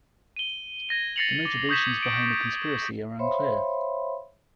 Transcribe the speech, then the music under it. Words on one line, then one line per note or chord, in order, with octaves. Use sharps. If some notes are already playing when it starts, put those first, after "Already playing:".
The motivations behind the conspiracy are unclear.
D#7 G7
G#6 A#6 D#7
A6 A#6 C7 C#7 F7 F#7
D6
C#6 D#6 G6 G#6 B6 E7
D7 F#7
C5 C#5 E5 F5 B5 C6